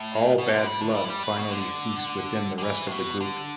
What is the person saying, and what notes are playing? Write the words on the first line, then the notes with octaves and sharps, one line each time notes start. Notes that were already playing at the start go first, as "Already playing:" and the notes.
All bad blood finally ceased within the rest of the group.
Already playing: A2
B2
D3
G3
D3
G3
E3
G3
E3
B2
D3
D3
E3
A2
B2
D3